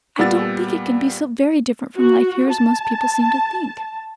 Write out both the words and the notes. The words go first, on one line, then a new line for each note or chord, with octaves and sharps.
I don't think it can be so very different from life here as most people seem to think.
A#2 G3 B3 F#5 E6 A6
F#4
A5